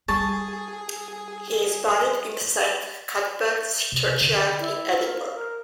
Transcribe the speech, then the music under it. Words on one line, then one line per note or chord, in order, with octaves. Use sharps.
He is buried in Saint Cuthberts churchyard in Edinburgh.
G3 G#4 A5 C#6
C3
D3 C4
E4
A#4
F5
A#4